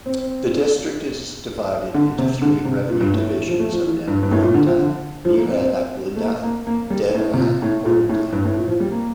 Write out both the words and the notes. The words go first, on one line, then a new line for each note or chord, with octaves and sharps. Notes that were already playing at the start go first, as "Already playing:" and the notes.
The district is divided into three revenue divisions of Nalgonda, Miryalaguda, Devarakonda.
C4
D3
C3
D3
C3
A#2
G2
A2
A2
E3
F3
A3
F3
E3
G2
G2
A2
A#2
D3
F3
D3
F3
A#3
C4
C4
A3
A#3
A#3
A#3
G3
A2
C3
A#2
A2
A#2
A2
G2
A2
A#2
F3
G3
A#3